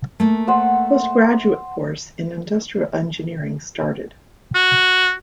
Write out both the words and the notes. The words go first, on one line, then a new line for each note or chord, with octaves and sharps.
Postgraduate course in Industrial Engineering started.
A3 A#3
C5 F#5 E6
F#4